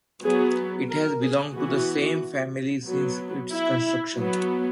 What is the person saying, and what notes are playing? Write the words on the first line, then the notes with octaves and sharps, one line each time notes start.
It has belonged to the same family since its construction.
F#3 B3 G#4
A#4
G#4
E3 B3 F#4
F#3 B3
E4
F#3 B3